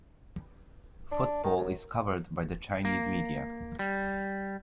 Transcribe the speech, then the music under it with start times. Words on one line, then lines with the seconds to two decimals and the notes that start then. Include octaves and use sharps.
Football is covered by the Chinese media.
1.12 D4
1.44 D#3
1.57 F#2
2.85 A#3
3.79 G3